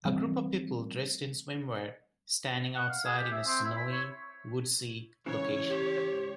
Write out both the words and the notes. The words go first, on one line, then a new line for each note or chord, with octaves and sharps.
A group of people dressed in swimwear standing outside in a snowy, woodsy location.
E3 G3 A3 C4
F#5
F5
G#4
G4
E5
C4
E4
B5
C#5
G#2 C#3 E3 C#5
G4